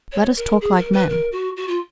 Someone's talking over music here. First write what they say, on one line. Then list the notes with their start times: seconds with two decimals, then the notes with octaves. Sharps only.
Let us talk like men.
0.12 C#5
0.37 A#4
0.61 G#4
0.77 A#4
0.93 B4
1.09 A#4
1.32 F#4
1.57 F#4
1.68 F4